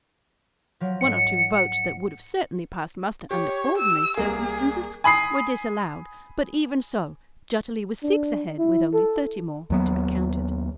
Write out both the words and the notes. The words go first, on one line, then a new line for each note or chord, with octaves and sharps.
One or two votes that would have certainly passed muster under ordinary circumstances were disallowed, but even so Jutterly was six ahead with only thirty more to be counted.
F3 F#3
G#2 F#5 C#7
G4 C#5
E6
C2 A#3 G#4
G#5 B5 D#6 C7
D4
E4
A4
D#2 F#3 B3